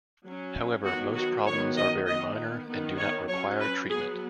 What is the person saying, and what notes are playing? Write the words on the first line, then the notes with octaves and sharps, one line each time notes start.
However, most problems are very minor and do not require treatment.
F#3 C#4
D#3 F#3 B3 F#4
F#4
D#3 F#3 B3 C#5
D#5
D#3 B3 D#5
D#3 B3
C#5
F#3 C#4 C#5
B4
F#3 B3 G#4